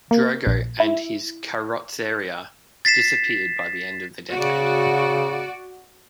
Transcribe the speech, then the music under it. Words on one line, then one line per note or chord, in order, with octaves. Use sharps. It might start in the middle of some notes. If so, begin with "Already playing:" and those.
Drogo and his Carrozzeria disappeared by the end of the decade.
A#3
A#1
E4
A6 B6 C7 E7
C#3 F#4 D5